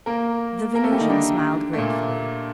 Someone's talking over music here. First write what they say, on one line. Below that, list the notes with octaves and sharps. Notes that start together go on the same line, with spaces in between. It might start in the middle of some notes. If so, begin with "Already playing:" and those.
The Venusian smiled gratefully.
A#3 A#4
A#3 A#4
A3 A4
G3 G4
D#3 D#4
D3 D4
A3
A#2 A#3